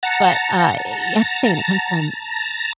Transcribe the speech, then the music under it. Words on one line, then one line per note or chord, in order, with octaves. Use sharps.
But, uh, you have to say when it comes to when
F#5 A5 A#5 C#7